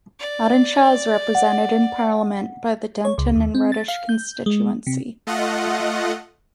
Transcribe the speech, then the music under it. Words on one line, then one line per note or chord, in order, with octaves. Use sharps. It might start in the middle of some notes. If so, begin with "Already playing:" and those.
Audenshaw is represented in Parliament by the Denton and Reddish constituency.
D5
F#5
C#5
C#2
D#2
C4
A6
F5
G6
G#3
C3
A3 F4 D#5 F#5